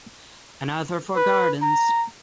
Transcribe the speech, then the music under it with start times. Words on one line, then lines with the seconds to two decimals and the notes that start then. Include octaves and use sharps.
Another for gardens.
1.16 B4
1.62 A#5